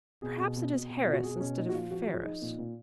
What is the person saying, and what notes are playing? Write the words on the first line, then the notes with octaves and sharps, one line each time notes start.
"Perhaps it is Harris instead of Ferris."
B2 G#4
B2
B2
B2
B2
B2 F4
F#4
B2 G#4
B2 C#4
A#2 D#4
F#4
F3 F4
F3 F#4
F#4
F3
G#4
F3 D#4
A#2
A#2